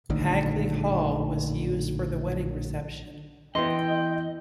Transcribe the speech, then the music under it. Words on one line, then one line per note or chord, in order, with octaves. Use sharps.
Hagley Hall was used for the wedding reception.
A#1 A2 D3 D#3
E3 B3 E4 D#5 G5 C6